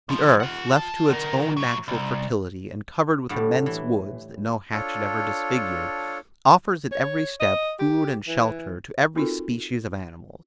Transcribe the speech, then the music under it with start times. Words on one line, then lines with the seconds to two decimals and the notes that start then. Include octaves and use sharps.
The earth left to its own natural fertility and covered with immense woods, that no hatchet ever disfigured, offers at every step food and shelter to every species of animals.
0.09 B1 F3
0.40 F4 F#5
0.73 F4 A5
1.10 D3 A#4
1.57 A2 F#3
1.88 C2
3.29 A2 D3 G3
3.66 E3
4.72 D4 F4 A4 C#5
6.92 C#5
7.40 D#5
7.80 G4
8.28 E3
9.16 C4 D#4 F4 F#4 A4 A#4